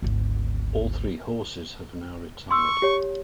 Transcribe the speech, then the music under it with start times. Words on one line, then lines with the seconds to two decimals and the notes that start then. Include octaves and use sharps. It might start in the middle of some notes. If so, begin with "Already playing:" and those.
All three horses have now retired.
0.02 G#1 D2
2.51 C6 C#6 E6
2.82 G4 C#5